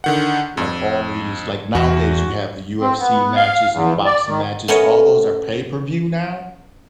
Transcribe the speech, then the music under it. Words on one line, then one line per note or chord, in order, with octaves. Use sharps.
like, all these like, nowadays, you have the UFC matches and boxing matches, all those are pay-per-view now?
D3 D#3 F#5
F2
E2 F#4
C4
B3
F5
E2
D5
D#3
A3 B3 C#4 A#4 C#5 D#5